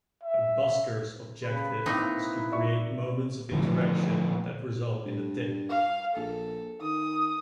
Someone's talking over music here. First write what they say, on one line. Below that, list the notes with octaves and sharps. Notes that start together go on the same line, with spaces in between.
A busker's objective is to create moments of interaction that result in a tip.
E5
C#3 B4
A#3 C4 D#4 E4
D5 E5 C#6
D3 E3 F3 A3
G2
F5
A#1 A4
D#3 D#6